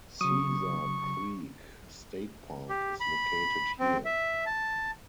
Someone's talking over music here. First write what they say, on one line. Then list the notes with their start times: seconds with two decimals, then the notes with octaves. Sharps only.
Caesar Creek State Park is located here.
0.21 C#3 F#3 C#6 D#6
2.70 G4
3.00 B5
3.79 C4
4.05 E5
4.46 A5